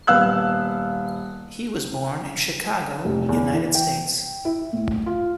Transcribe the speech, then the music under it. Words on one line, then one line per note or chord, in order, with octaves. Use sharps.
He was born in Chicago, United States.
D#1 B3 F5 E6 F#6
F1
E2
E3
G5
E4
A2
F4